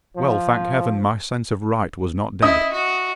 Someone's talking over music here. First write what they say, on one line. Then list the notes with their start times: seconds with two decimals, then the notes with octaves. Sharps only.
Well, thank Heaven! my sense of right was not dead.
0.17 F3
2.42 E4 D#5 D#6
2.72 F#4